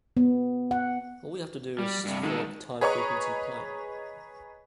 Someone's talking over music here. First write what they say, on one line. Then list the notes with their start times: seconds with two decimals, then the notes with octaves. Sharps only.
All we have to do is to fill up the time-frequency plane.
0.17 B3
0.71 F#5
1.79 G3
2.05 G2 C3
2.23 D#3 G#3 F4 A4
2.81 G#4 B4 C#5 D#5 A#5 C#6